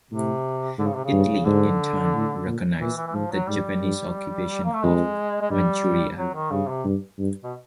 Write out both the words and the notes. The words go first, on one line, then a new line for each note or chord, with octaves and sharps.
Italy in turn recognized the Japanese occupation of Manchuria.
A2 C3
G#2 D3
C#3
C3
C#3
G2
G#2 D3
A2
A#2
A#2 E3
E3
E3
G#2 F3
F#3
G#2 G3
G2
A#3
A3
F2 G#3
G#3
G2 G3
F#2
F2 F#3
D#3
G2 C#3
C3
G2
G2
B2